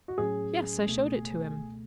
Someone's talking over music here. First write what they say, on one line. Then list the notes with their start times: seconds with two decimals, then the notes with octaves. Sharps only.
"Yes; I showed it to him."
0.08 F#4
0.18 A2 F#3 C#4 G#4
0.89 C#2 B2 A3